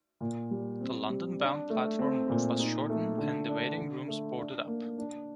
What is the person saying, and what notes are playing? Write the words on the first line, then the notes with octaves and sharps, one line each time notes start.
The London-bound platform roof was shortened and the waiting rooms boarded up.
A#2
G3
C4
G3
D4
A3
C4
A#2
D#4
A3
D3
D4
D3
A3
D4
A#3
D4